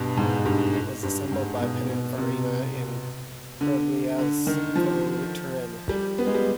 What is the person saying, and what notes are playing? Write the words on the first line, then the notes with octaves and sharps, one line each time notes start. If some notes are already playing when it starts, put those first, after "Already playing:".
It was assembled by Pininfarina in Grugliasco, Turin.
Already playing: G2 B2
G#2
G2
G2
G#2
B2
B2
C3
D3
D3
D#3
F3
G3
B3
G#3
G3